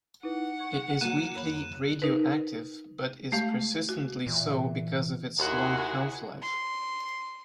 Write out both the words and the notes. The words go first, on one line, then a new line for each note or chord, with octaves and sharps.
It is weakly radioactive but is 'persistently' so because of its long half-life.
D#4 E4 B4 F#5
C#6 G#6
F#3 A#3 F#6 D#7 E7
F2 C#5 B5
D#4 A#4 B4
G#3 A3 G4 F5
F#4
A#2 E3
D#2 E4 F#4 G#4 A#4 C6
C6